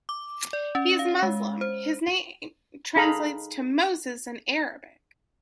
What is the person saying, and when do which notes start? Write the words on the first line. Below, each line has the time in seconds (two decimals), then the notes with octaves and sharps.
He is a Muslim.His name translates to Moses in Arabic.
0.09 D6
0.53 D5
0.75 C#4
0.99 F5
1.23 G#3
1.61 C5
2.96 D#4 G#4 A4 F5 A#5 B5